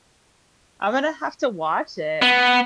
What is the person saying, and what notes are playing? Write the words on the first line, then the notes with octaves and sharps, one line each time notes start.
I'm gonna have to watch it.
B3